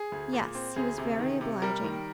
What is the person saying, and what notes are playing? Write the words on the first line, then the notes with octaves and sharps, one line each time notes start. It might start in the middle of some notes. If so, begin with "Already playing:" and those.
'Yes; he was very obliging.
Already playing: G#4
D2
A#2
C4
D2 G#4
C3
D#3
C3
G3 A#4
D#3